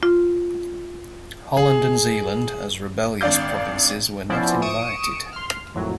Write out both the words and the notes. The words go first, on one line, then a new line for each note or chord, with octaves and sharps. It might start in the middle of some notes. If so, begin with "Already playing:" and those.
Holland and Zeeland, as rebellious provinces, were not invited.
F4
G#4
G#1 D4 D5 F5 D6 G6
F3 B3 C#4 E4 C5 D5
C#6 D#6 C#7 D7 E7
C6 F6
G#1 F2 A2 F#3